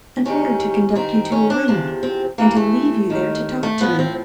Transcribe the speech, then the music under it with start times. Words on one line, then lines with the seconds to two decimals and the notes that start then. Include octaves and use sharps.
"An order to conduct you to a room, and to leave you there to talk to me."
0.25 E2 C3 D#3 C#4
0.95 F#2 D#3 C4
1.32 C#4
1.50 D4
1.68 E2 C3 F3 D4
2.03 C4
2.38 G2 E3 A#3
2.56 A3
3.09 D#2 D#3
3.63 A3
3.80 A2 F3 B3
3.99 C4